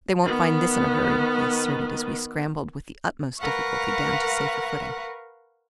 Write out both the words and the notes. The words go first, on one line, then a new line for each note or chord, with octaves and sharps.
"They won't find this in a hurry," he asserted, as we scrambled with the utmost difficulty down to safer footing.
D#3 B3
A#4 B4 F5 F#5 C#6